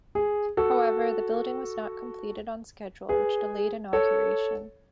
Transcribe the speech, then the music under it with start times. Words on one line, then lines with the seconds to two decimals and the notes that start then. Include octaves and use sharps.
However, the building was not completed on schedule which delayed inauguration.
0.15 G#4
0.57 F#4 A4
3.09 G#4 B4
3.93 A4 C#5